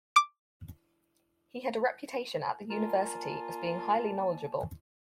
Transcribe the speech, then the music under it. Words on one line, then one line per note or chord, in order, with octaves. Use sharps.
He had a reputation at the University as being highly knowledgeable.
D6 D7
A#3 F4 A#4 D5 G#5 A5